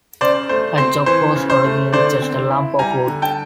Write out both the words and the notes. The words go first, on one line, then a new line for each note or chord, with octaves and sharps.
A "chock" was originally just a lump of wood.
C#3 C5 D5
A3 C5
C4 C5
E3 C5
C#3
C5
A3
D3 C5 D5
C4
E4
G3 G#5 A#5
D3
G5 A5